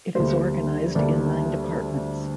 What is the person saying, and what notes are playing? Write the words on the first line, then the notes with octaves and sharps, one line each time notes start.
It is organised in nine departments.
D2 D3 G3 A#3 C5
D2 D3 G3 A#3 D5